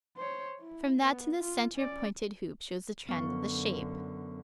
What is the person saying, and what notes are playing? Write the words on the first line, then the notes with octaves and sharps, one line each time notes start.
From that to the centre-pointed hoop shows the trend of the shape.
C5 C#5
E4
B3
F4
C#4 D5
F#2 D3 B3 C#6